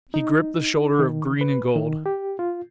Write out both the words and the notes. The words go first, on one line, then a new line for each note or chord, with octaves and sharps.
He gripped the shoulder of green and gold.
D#4
D#3
B4
D#3
G4
F4